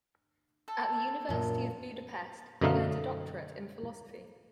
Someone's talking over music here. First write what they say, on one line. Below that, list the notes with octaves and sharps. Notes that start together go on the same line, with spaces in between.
At the University of Budapest, he earned a doctorate in philosophy.
A4
F#2 A#2
F#2 B2 D3 A3 D#4 F5